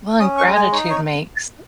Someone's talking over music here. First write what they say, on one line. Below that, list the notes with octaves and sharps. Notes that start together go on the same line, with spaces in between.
Well, and gratitude makes
C#4 D#6
C#6
G#3
G#5
D#4 C#5
C#5